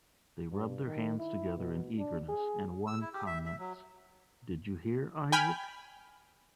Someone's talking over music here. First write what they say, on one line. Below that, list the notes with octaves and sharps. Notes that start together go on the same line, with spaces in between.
They rub their hands together in eagerness, and one comments: Did you hear, Isaac?
G2
D#3
E4
B2
D4
G#4
E6
E4
G4
E5
E5
F#3
G5 G#5 B5 F6